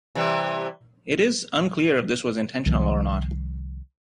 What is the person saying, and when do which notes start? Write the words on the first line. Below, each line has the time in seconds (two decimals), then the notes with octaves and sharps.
It is unclear if this was intentional or not.
0.15 C3 E3 G3
2.66 C2 D#3 F3